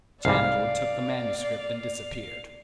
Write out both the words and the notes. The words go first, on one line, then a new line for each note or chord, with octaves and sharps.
The janitor took the manuscript and disappeared.
C2 G#2 G3 D5 F5